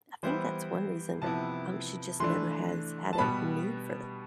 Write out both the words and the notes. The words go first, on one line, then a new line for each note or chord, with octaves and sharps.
I think that's one reason, um, she just never has had a need for
E3 G3 B3 E4 C5
C3 F3 B3 E4 A5
E3 A3 D4 C6
A5
B2 G3 B3 B5